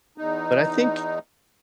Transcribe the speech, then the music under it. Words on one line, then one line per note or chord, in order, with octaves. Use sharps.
But I think
E2 D#4